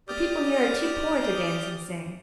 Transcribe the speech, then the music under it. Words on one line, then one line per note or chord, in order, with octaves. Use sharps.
The people here are too poor to dance and sing.'
G4 D5 D6 D#6 F6 G6